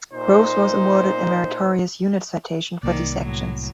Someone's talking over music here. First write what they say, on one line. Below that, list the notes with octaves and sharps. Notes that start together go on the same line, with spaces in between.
Groves was awarded a Meritorious Unit Citation for these actions.
A#2 D#4 C5
C2 D#3 A#3 D5
A2 F#3